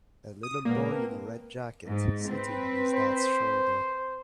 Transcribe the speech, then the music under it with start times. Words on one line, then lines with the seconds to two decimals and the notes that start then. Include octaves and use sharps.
A little boy in a red jacket sitting on his dads shoulder.
0.43 D#6
0.65 A#2 G#3 A#3 B3
0.89 C4 B4 A5
1.85 G#2
2.29 C4 B4
2.94 C5